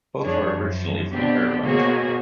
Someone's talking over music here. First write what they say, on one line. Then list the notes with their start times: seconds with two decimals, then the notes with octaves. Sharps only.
Both were originally from Ireland.
0.24 F2 D4 G#4 C#5
0.56 F#2 F3
1.12 B2 B3 C4 D4 G4
1.63 B2 A#3 F#4 G#4 C5 C#5